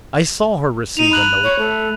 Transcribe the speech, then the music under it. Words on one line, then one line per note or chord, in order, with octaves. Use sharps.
'I saw her receive a note.
D#4 D#7 F7
B5 F#6 F#7
C#5
A3